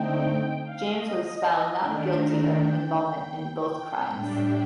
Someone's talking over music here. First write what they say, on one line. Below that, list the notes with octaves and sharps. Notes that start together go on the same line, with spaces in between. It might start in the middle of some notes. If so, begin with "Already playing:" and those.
James was found not guilty of involvement in both crimes.
Already playing: D3 A3 C4 D#4 G5
F5
D#5
D#3 A3 D4 G5
A#5
G5
G5
A2 G3 D4